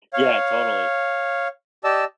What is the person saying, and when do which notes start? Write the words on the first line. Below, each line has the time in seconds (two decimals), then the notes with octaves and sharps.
Yeah, totally.
0.13 C#5 F5
1.84 G4 D5 D#5 A5 E6